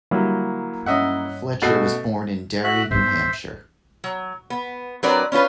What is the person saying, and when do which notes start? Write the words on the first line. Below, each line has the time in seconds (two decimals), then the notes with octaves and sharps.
Fletcher was born in Derry, New Hampshire.
0.11 D3 F#3 G3 A#3 E4
0.86 G2 C#4 D#5 E5 F#5
1.62 B2 A3 F#4 A6 C7
2.64 F#4 E5 F#6
2.91 G#2 B3 C5 E5
4.04 F#3
4.50 B3
5.03 F#3 C4 D4 A#4 B4 D5
5.32 C#4 D4 F4 B4